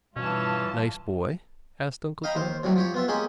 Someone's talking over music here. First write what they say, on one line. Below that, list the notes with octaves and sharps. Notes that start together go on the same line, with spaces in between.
"Nice boy?" asked Uncle John.
G2 B2 E3 C#4 F4 A5
D#5 F5 G5 A#5 B5
D#2 C5
F#2 A2 C3 F#3 G3
F3 G4 C#5
B3 F4 E5
G#3 A#3 C#4 G4 G#4